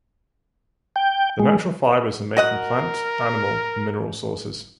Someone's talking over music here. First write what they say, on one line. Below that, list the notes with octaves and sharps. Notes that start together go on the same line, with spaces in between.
The natural fibers are made from plant, animal and mineral sources.
G5
G#3
F#4 A#4 D#5 F#5